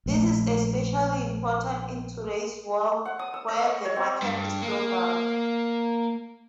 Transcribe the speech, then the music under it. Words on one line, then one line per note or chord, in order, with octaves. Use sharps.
This is especially important in today's world where the market is global.
A#1 A3
F#5
D#6
E6
D#5
C#6
C#5
C4
G2
A#3